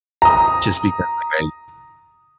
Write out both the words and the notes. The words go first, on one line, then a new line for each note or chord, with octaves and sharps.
just because, like, I
A#5 D#6